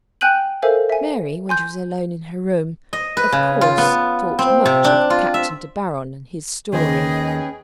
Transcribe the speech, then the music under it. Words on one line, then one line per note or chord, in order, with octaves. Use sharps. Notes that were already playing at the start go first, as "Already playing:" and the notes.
Mary, when she was alone in her room, of course thought much of Captain De Baron and his story.
G5 G#5 F#6 G6 D#7 F#7
A4 A#4 C5 E5 F5 G#5
E5 G#5
G#5 C6 G6
D#5
B4
C#3
F4
B3
C4
C3
D4
F4
E5
D#2 D#3 C#4 G#4 B4 C5 D#5 G5